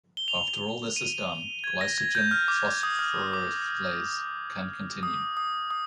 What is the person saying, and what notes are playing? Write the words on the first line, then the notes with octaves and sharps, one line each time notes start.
After all this is done, glycogen phosphorylase can continue.
G7
F7
D#7
G#6
A#6
G#6
G6
F6
D6
D#6
F6
D6
D#6
D#6
D#6